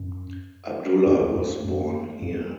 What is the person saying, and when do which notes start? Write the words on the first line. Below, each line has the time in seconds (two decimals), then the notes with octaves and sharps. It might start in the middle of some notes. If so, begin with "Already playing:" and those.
Abdullah was born here.
Already playing: F#2
1.06 F#2
1.21 E2
1.35 F#2
1.65 F#2
2.22 F#2